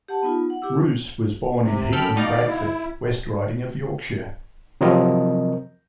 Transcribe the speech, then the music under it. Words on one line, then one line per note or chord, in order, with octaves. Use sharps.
Rouse was born in Heaton, Bradford, West Riding of Yorkshire.
G4 F#5 A5
B3 D#4 F4
F#5
E4 G4 D6 E6
C3
F#2 A4 G5 B5 F6
B2 D#4 D5 F5
E4
C3 F3 F#3 C4 A#4 D#5